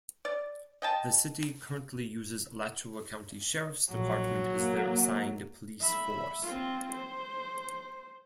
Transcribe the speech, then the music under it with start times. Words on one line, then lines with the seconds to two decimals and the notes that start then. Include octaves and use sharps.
The city currently uses Alachua County Sheriff's Department as their assigned police force.
0.25 D5
0.82 D#5 G5 A5
3.91 A#1 F#3
4.56 A#3
5.81 E5 B5
6.42 C4 F4
6.93 C5